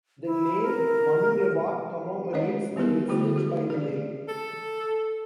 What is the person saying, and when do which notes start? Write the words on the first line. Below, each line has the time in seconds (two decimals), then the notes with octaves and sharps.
The name Manurewa commemorates the incident by the name.
0.25 E4
0.63 A#4
2.33 G#3 C#4 C#5 D#5
2.76 G3 B3 D#4 G4 A#4
3.08 D3 A3 E4 F#4 G#4 C5
3.36 F#4 G4
3.70 G#4 D5
4.28 A4